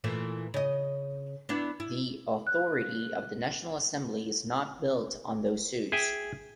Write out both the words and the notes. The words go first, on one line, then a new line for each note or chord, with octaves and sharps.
The authority of the national assembly is not built on those suits.
A#2 E3 A3
C#3 D#5
B3 D4 E4
E4
F#6
G#4 E5 G5 G#5